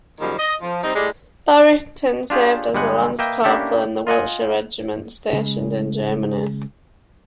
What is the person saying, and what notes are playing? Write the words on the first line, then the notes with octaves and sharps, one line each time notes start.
Barrington served as a Lance-Corporal in the Wiltshire Regiment stationed in Germany.
F#2 A#2 D#3 F3 G3 G#3
D#5
F3
G3 C4 D#4
A2 G3 G#3
D4 F4 G4 G#4 C#5
G1 G3 G#3 F#5 G#5
A#3 B4 D#5 E5 G5
A#3 C#4 D4 E4 G4 A4
F4 D#5 F#5 G#5
C#3 G#3